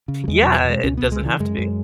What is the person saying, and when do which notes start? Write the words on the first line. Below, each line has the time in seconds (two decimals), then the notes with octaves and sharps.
Yeah, it doesn't have to be.
0.08 C#3
0.24 F#3
0.28 E2 G#3
0.42 B2 F#3
0.65 B2
0.70 G#3
0.84 C#2 C#4
0.97 B3
1.03 C#2
1.12 G#3
1.21 C#3 E3
1.39 F#2 G#3
1.58 F#2